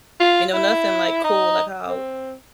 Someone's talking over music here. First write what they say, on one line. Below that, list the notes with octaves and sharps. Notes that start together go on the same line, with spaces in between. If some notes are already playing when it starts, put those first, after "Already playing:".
you know, nothing like cool, like how,
F4
E4
D#4
C4